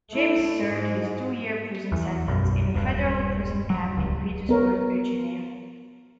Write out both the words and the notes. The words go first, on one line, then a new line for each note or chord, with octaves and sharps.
James served his two-year prison sentence in a federal prison camp in Petersburg, Virginia.
A3 E4
G#2
E2
B1 F#2
D#1 G2
F#3
D1 C#2
B3 A#4 C#5